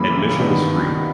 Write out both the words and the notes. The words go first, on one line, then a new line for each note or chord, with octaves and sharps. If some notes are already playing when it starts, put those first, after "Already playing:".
Admission is free.
Already playing: F#2 C#3 E3 G3 A#3 B5
G2 D#3 G3 B3